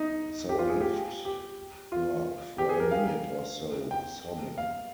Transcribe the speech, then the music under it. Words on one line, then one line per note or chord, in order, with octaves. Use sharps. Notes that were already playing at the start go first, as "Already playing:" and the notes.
So I left her for a minute or so sobbing.
Already playing: D#4
G4
F4
G#4
G4
G4
F4
G4
G#4
A#4
F5
G5
F5